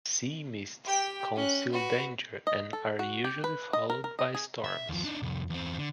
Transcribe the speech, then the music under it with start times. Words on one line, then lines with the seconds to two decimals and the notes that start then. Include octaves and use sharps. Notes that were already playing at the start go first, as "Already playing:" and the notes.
Sea mists conceal danger and are usually followed by storms.
0.85 G4 G5
1.36 C#4 F#6
1.72 F#4 B4
2.47 D#5
2.73 A4
2.99 F#4
3.24 G4
3.44 B4
3.73 D#5
3.90 A#4
4.04 A#4
4.19 D#5
4.34 G#4
4.64 E5
4.89 D#2 F3
5.04 D4 D#4
5.23 C2 F2
5.50 E2 C4
5.79 D3